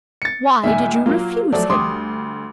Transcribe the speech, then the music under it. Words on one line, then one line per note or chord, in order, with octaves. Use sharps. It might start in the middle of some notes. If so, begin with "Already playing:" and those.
"Why did you refuse him?"
A6 C#7
C#2 A#2 D#3 E5 G#5
F#3 A#3 F4
F3 F#3 A3 D5
D2 G3 C6 D6 D#6